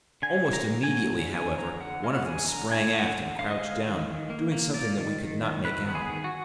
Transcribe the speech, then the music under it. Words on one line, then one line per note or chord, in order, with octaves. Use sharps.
Almost immediately, however, one of them sprang aft and crouched down, doing something that we could not make out.
D3 G#5
D3
A#5
A#3
G#5
F#3
D3
D3 G#5
D3 A#5
D3 F#5
G#3 F5
F#5
D3 G#5
D3 A#5
D3 G#5
D3 F#5
D3
D3 F5
D#5
G#3 F5
D#3
D#3
A#3
A#3
A#3 D5
D#3
D#3
D#3
D#3 B4
B3
G#4
D#3
F#4